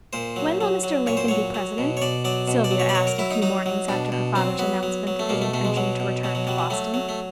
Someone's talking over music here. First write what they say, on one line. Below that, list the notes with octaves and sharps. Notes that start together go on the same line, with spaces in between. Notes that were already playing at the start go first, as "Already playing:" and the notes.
"When will Mr. Lincoln be President?" Sylvia asked a few mornings after her father's announcement of his intention to return to Boston.
A#2 C5
F#3
F#3
F#3
A#2 C#5
C5
F#3 C#5
F#3
B2
C#5
B2 D5
F#3 D5
B2
D5
F#3
C#5
D5
F#3 C#5
A#4
F#3 E4
D#4
F#3 D#4
F#3
B2 D4
B2
F#3 C4
F#3 B3
F#3
F#3
A3
B2 A#3
A3
B2 A3
G#3
B2 F#3
B2
B2 F#3
F#3
F#3 G3
G3
F#3 A3
F#3
A3